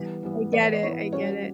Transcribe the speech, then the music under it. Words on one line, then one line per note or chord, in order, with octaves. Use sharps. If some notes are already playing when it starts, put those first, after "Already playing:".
I get it, I get it,
Already playing: E3 G3 B3
E3 G3 B3
E3 B3 E4 D5
C#5
D5
E3 B3 E4 C#5
G3 C#4 F#4 C#5